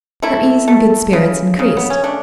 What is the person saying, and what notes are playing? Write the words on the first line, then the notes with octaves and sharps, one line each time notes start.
Her ease and good spirits increased.
A3 E4
A3
C#3
C#3
B3
C#4
A3 D4